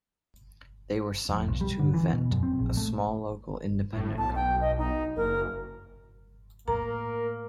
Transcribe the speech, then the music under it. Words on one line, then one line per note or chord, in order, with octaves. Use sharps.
They were signed to Vent, a small local Independent company.
F1
B1
G3
D3
E3
B2
F#2
C4
A#1
A3
A2
B1 A5
G5
D#5
D#4
F#1 A#4
A2 A#3 A#4 A#5